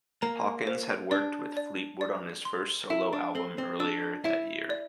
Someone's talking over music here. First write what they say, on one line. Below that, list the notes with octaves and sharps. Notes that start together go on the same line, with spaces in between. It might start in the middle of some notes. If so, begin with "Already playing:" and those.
Hawkins had worked with Fleetwood on his first solo album earlier that year.
A#3 A#5
C5
D4 D5
D5
D5
C6
E4 E5
D4
C4 A4
C4
D4 E6
E4 E5
D5